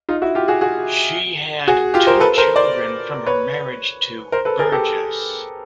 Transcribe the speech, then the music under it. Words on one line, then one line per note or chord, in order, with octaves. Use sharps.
She had two children from her marriage to Burgess.
D#4 F4
E4 F#4
F4 G4
F#4 G#4
F#4 G#4
F#4 G#4
F4 G4
A#4 C5
A4 B4
A#4 C5
C5 D5
B4 C#5
A#4 C5
A4 B4
G#4 A#4
G4 A4